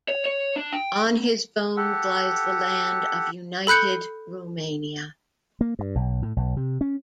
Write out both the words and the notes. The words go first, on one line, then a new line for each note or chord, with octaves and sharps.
On his bones lies the land of united Romania.
C#5
C#5
D4
G5
G4 A4 F#5
A4 B5 F#6 G6 C#7
A#3
G2
B1
A2
B1
C3
C#4